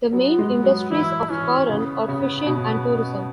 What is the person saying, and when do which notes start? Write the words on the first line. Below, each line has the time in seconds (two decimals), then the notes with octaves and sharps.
The main industries of Coron are fishing and tourism.
0.13 F#3 B3
0.39 G#3
0.64 F#3
0.90 E3 E4
1.29 E3 C#4
1.69 C#3 B3
2.08 C#3
2.46 B2 B3